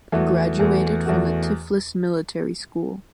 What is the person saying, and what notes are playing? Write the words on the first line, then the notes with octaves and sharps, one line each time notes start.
Graduated from the Tiflis Military School.
E2 E3 A3 F#4
E2 E3 A3 F#4
E2 E3 A3 F#4